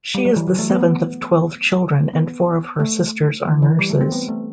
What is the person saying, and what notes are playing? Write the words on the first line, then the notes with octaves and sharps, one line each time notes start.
She is the seventh of twelve children and four of her sisters are nurses.
G3
F#3
E3
F#3
A3
B3
B3
B3
A3
E3
E3
G3
A3
C4
B3
A3